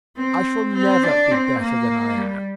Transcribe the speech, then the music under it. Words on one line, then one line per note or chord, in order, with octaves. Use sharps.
I shall never be better than I am.
C4
C4
D4
C4
A#3
G3